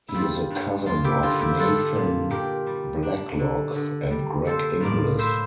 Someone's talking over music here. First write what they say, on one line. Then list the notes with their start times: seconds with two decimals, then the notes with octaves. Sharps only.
He is a cousin of Nathan Blacklock and Greg Inglis.
0.09 E4
0.14 G3 F4
0.50 G2
0.86 A#3 F4
1.04 E4 G4
1.22 D3 F4
1.40 E4 G4
1.58 D4 F4 A4
1.95 A#2
2.30 A#2 G4 A#4
2.66 G3
3.03 D4
3.39 D3
3.75 D3
4.10 G3
4.45 A#3 A4 C5
4.80 A2 A#4 D5
5.18 E4 C5 E5